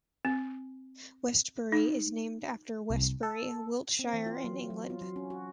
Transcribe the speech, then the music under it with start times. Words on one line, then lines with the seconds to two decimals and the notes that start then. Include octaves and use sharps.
Westbury is named after Westbury, Wiltshire in England.
0.25 C4
1.72 D#4
2.90 C2
3.23 A4
3.99 C4
4.13 E3
4.26 F4
4.44 F#3
4.70 F#3
4.90 F4
5.02 F#3
5.16 C#4
5.30 F#4